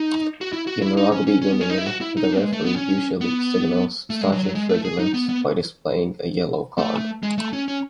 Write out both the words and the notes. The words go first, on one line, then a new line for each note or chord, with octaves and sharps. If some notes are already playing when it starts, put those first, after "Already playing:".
In rugby union, the referee usually signals such infringements by displaying a yellow card.
Already playing: D#4
F#4
E4
F#4
E4
D#4
C#4
C#4
C#4
B3
C#4
D#4
E4
F#4
E4
D#4
G#3
A3
B3
C#4
B3
A3
G#3
F#3
F#3
G#3
A3
G#4
D#4
B3
B3
A3
G#3
A3
C#4
C#4